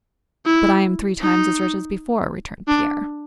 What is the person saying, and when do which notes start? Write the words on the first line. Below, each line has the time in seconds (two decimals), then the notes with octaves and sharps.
"But I am three times as rich as before," returned Pierre.
0.46 E4
1.20 D#4
2.68 D4